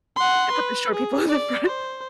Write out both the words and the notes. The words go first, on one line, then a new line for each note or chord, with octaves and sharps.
They put the short people in the front.
F#5 C6
B4
G#4
D5
C5